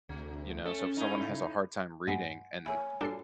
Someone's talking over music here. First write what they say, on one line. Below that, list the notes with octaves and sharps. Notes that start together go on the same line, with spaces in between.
you know, so, if someone has a hard time reading and
D2 C3
A3 C#4 A4
D#4 E4
C#3
G2 G#3 B3 D#5 F#5 G#5 C6
E4 G#4 A#4 C#5 G#5 B5
G2 D4 F4 F#4 A4 G5 C7